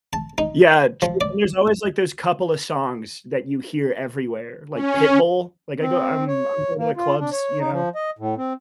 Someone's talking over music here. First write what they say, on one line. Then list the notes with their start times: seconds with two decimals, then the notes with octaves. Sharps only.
Yeah, true and there's always, like, those couple of songs that you hear everywhere, like Pitbull. Like, I go I'm I'm going to the clubs, you know,
0.13 A5
0.38 D#4
1.02 F3
1.21 D5
4.74 C#4
5.81 C4
6.28 C#5
6.78 A#3
6.96 F4
7.19 D4
7.32 C#5
7.60 D#4
7.72 F3
7.95 D#5
8.18 A2
8.38 C4